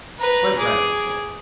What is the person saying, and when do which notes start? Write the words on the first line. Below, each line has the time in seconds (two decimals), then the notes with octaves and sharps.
Quite right, he said.
0.20 B4 A#5
0.58 G#4 D6